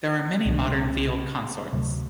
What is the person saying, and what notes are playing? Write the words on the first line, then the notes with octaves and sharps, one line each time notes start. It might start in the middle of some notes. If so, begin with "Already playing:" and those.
There are many modern viol consorts.
C2 B2 A3 D4
D2 C3 F#3 A3